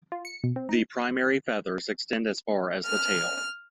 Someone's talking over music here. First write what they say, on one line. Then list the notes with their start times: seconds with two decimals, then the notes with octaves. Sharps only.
The primary feathers extend as far as the tail.
0.12 F4
0.25 C#7
0.44 B2
0.56 C4
0.69 D#4
2.86 F6